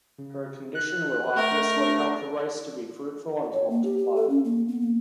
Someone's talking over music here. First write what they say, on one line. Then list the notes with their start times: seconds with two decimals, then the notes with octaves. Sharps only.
Her condition will obviously help the rice to be fruitful and multiply.
0.18 C#3
0.75 F#6
1.36 A3 A#4
1.76 D4
3.53 C#5
3.70 A#3
3.85 G4
3.98 G4
4.16 A4
4.30 C#4
4.45 A#3
4.68 B3
4.81 A#3